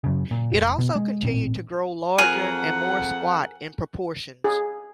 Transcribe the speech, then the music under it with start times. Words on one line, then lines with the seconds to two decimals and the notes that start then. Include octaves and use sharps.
It also continued to grow larger and more squat in proportions.
0.04 F#2 C#3
0.31 A#2
0.51 F1
0.78 B2
0.95 G#3
1.25 A1 A#2 C4
2.18 F2 G#4 A#4 F#5 D#7
4.44 G#4